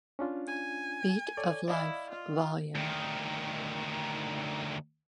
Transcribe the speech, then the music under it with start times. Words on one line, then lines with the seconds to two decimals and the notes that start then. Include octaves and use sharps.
Beat of Life Vol.
0.19 C#4 D4 F4
0.48 G#5
1.37 A4 C#5 D5
1.68 E4 D5 D#5 F5
2.11 F4
2.75 D2 D#3